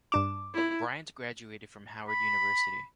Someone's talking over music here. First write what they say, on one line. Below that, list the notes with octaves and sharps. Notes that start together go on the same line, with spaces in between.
Bryant graduated fron Howard University.
G2 D4 D6 E7
E4
B5